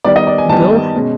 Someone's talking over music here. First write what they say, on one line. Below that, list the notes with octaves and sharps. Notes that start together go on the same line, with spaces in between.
Bill H
D#3 G3 B3 D5
D#5
D5
G#5
D#3 G3 B3 A5
B2 G#3 C#4